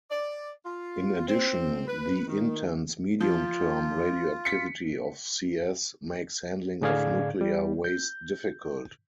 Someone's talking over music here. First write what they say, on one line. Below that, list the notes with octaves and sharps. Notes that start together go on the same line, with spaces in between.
In addition, the intense medium-term radioactivity of Cs makes handling of nuclear waste difficult.
D5
F4
C4
B4
D#3
F3 F4
B6 C#7
A2 D3 G#4 D5 F5 G#6
G3
G6